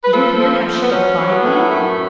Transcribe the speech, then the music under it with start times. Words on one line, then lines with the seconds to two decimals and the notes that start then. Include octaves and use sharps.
Did you hear how she defied me?
0.04 B4
0.12 F3 A4
0.38 F3
0.64 F2
0.82 B3
0.91 F#3 C#4
1.17 F#3
1.31 B3
1.44 A2
1.70 F#2 A3